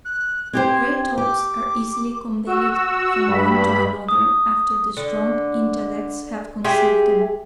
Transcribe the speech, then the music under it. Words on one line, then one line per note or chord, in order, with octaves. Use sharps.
Great thoughts are easily conveyed from one to another after the strong intellects have conceived them.
F#6
C4 G4 C5 G#6
G4 D6
F#4 E6
G2 B5
D#6
D3
G#3 G4 G#4 E5